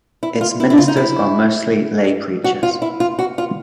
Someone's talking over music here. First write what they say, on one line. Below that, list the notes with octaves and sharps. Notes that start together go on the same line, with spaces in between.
Its ministers are mostly lay preachers.
E4
F4
E4
E4
F4
D#4
E4
F#4
F4
E4
F4
F#4
F4